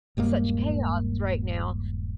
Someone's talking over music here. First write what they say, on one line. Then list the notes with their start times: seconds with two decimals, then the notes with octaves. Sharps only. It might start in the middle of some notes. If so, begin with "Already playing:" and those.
such chaos right now.
0.17 D#1 G2 G#3 A#3